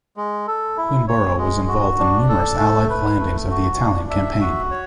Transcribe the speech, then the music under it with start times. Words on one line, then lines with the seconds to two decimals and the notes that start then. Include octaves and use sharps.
"Queenborough" was involved in numerous Allied landings of the Italian Campaign.
0.17 G#3
0.48 A4
0.77 E4
1.08 C#5
1.38 G#3
1.68 F#4
1.99 D4
2.29 A4
2.59 A3
2.90 B4
3.19 A3
3.50 F#4
3.80 D4
4.10 E5
4.41 F#4
4.71 C#5